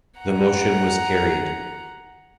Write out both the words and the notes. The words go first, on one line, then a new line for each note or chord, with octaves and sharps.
The motion was carried.
F#5 A#5